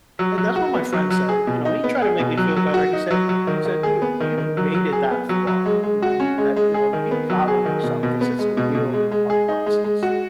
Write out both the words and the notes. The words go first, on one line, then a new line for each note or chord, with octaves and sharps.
And that's what my friend said, and you know he tried to make me feel better, he said he said, "Dude, you made it that far," you know he said, you know, "Be proud of yourself 'cause it's a real hard process."
F#3
F#3
F#4
B3
F#3
F#3
G#4
B2
D#4
B3
G#4
B2
F#3
F#3
F#4
D#4
F#3
F#3
D#3
D#3
G#4
B3
D#3
D#3
F#3
F#3
G#4
B3
F#3
F#3
G#3
G#3
F#4
C#4
G#3
G#3
G#4
D#3
B3
F#3
G#4
D#3
B2
B2
B3
G#3
B2
B2
G#3
G#3
G#4
D#4
G#3
G#3
F#4